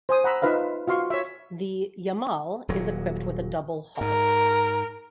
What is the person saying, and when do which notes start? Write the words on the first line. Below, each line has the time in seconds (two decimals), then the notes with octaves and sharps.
The "Yamal" is equipped with a double hull.
0.09 C5 G#5 D#6
0.24 F#5 A#5 B5 E6
0.42 D#4 F4 B4 E5 F5
0.88 F4 F#4 F5 C6 C#6
1.10 C#5 E5
2.69 D#1 A#2 F#3
4.01 G#2 A#4